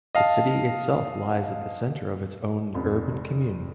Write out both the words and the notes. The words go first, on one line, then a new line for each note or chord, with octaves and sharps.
The city itself lies at the centre of its own Urban Commune.
D#5 F5 A5
F1 F2